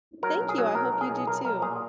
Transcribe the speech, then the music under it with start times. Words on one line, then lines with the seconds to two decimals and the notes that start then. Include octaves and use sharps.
Thank you, I hope you do too.
0.23 F#3 A#4
0.41 B1
0.49 G#4
0.58 F#3
0.75 B1 A#4
0.92 B1
1.01 G#4
1.10 B1
1.27 B1 A#4
1.45 B1 A#4
1.62 A#2 G#4